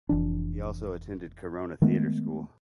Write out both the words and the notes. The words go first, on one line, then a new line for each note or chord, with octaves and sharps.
He also attended Corona Theatre School.
F1 E3 D4
D#3 G#3 A3 B3